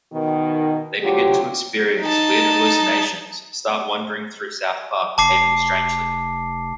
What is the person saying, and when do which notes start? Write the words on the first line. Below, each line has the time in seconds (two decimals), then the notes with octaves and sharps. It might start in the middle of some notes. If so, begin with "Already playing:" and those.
They begin to experience weird hallucinations and start wandering through South Park behaving strangely.
0.12 B2 D#3
1.03 D2 F#3 F4 G4
2.02 D#4 A5
5.18 F1 A5 D6 C7